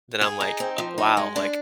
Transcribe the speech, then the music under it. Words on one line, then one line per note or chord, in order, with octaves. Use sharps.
that I'm, like, uh, wow, like,
G#4
D#4
C4
F3
D#4
G#3
D4